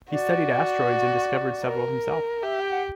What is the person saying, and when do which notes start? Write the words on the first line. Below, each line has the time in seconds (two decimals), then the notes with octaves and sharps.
He studied asteroids and discovered several himself.
0.11 F#4 D5
1.65 A#4
2.42 G4 E5
2.60 G5
2.71 F#5